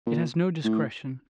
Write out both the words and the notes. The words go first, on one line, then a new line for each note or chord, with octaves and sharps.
It has no discretion.
A#2
A2